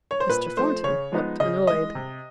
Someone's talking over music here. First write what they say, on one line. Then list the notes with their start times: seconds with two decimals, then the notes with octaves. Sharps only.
Mr. Thornton looked annoyed.
0.11 C#5
0.20 C5
0.29 A#2 B4
0.57 F3 A3 C5
0.84 C#3 C#5
1.12 F3 G#3 B3 D#4
1.40 C#3 D#5
1.67 E3 G#3 D#5
1.95 C3